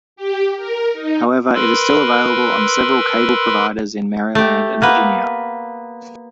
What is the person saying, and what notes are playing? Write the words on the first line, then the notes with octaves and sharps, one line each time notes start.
However, it is still available on several cable providers in Maryland and Virginia.
G4
A#4
D#4
A#4 B4 B5 C6 E6
A3 G4
A#3 B3 B4